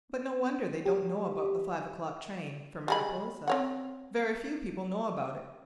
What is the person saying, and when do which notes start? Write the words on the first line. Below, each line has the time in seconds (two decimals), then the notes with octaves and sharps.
But no wonder they don't know about the five o'clock train for Mariposa. Very few people know about it.
0.85 G4
2.88 G3 G#3 B5
3.48 C4 C#5 F#5